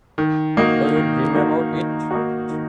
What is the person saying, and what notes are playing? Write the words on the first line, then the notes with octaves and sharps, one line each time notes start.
Do you dream about it?
D#3
A#3 D#4 F#4
D#3
A#3 D#4 F#4
D#3
A#3 D#4 F#4
D#3